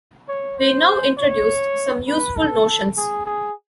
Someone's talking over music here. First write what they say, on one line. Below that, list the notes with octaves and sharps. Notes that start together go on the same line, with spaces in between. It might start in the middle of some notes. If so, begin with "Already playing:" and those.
We now introduce some useful notions.
C#5
C5
C#5
B4
A4
G#4
G#4